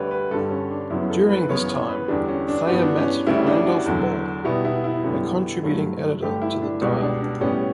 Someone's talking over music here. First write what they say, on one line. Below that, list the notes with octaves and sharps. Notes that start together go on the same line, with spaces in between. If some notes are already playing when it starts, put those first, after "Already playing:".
During this time, Thayer met Randolph Bourne, a contributing editor to The Dial.
Already playing: D2 D3 G3 B4 C#5
B4
G2 D3 G3 A4
C#4
D4
F#2 C#3 F#3 B3 E4
A4
B4
F#2 C#3 E3 B3 C#5
C#5
B4
E2 D3 G3 D4
C#4
D4
G2 E3 B3 F#4
D4
C#4
D2 C#3 G3 E4
D4
F#4
E2 D3 F#3
B2 G3 B3 E4
E4
E4
F#2 D3 G3 B3
G2 F#3 A3
G2 D3 A3 G4
E4
D4
C#2 B2 G3
D4
D4
A2 G3 B3 C#4